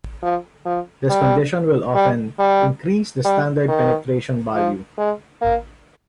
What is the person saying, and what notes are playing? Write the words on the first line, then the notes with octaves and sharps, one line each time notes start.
This condition will often increase the standard penetration value.
F3
F3
G3
G3
G3
G3
D#3
F3
G#3
A#3